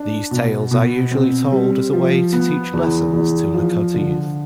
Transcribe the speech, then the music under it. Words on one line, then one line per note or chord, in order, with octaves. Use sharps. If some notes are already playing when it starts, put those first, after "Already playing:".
These tales are usually told as a way to teach lessons to Lakota youth.
Already playing: D4
B2
B2
C4
G3
F3
B3
E2
E2
F3
D3